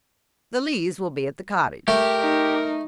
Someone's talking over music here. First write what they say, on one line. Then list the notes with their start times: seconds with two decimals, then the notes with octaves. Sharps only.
The Lees will be at the cottage.
1.88 A3 G4 A#4
2.21 D#4